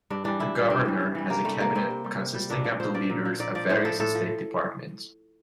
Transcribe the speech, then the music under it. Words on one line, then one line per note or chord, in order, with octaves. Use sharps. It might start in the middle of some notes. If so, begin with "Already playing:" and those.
The governor has a cabinet consisting of the leaders of various state departments.
G2 D4
E3 G3 D4
G2 E4
E3 G3
G2 C4
E3 G3
G2
E3 G3
C3 A#3
G3 A3
C3 A#3
G3 C4
C3
G3
C3
G3
A#2 D4
F3
A#2 C5
F3 D5
A#2
F3
A#2 D5
F3 D5
A2 C5
F3 A4
A2 A4
F3